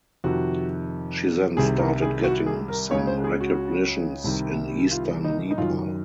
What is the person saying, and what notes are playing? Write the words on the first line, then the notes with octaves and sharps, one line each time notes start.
She then started getting some recognitions in eastern Nepal.
F2 C3 D#3 F#4
C2 C3 D#3 G#4
A#4
G#4
F#4
G#4
A#4
C#2 C#3 C#5
C5
G#4
F#4
C2 C3 D#3
F4
D#4
D#4
F#2 D#3 F4